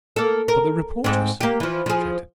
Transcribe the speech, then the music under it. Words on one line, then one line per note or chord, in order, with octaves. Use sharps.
"But the reporters," I objected.
A#3 A4
A#4
G#2 C4
A#3 G4
E3 F3
F3 G#4